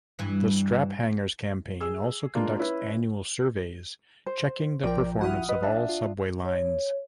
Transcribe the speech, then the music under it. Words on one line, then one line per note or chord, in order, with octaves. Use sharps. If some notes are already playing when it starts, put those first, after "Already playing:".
The Straphangers Campaign also conducts annual surveys checking the performance of all subway lines.
G2 E3
G#4 E6
G#3 A#3 D4 F4
C#4 E4 B4
C5
A#1 F3 A#4 D5 G5
E4 F#4 F#5 D#6 F6
B4 D#5
D4 E5
F4
C#5